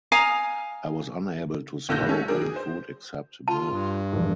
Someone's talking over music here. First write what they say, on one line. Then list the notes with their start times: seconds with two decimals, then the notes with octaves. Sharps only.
I was unable to swallow any food except milk.
0.12 F5 G#5 A#5 D#6
1.89 B1 A#2 D3 F#6 G6 A#6
2.06 G#3 A3 C#4 A4
2.28 F#3 D4 G#4 A#4
2.41 G#4
2.56 C5
3.48 F4 A5
3.71 G2
4.13 E1 A#1